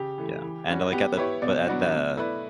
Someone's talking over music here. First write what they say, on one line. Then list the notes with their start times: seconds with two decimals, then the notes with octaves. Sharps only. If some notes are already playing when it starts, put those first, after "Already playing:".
Yeah, and, like, at the but at the
Already playing: C#3 G4
0.18 E3 A3
0.42 E3
0.67 G3 C#4 F#4
0.92 B3 G4
1.17 E4 G4 B4 C#5
1.42 B2 D5
1.67 F#3 B3 D4 F#4
1.92 B2
2.17 A3 E4 B4 D5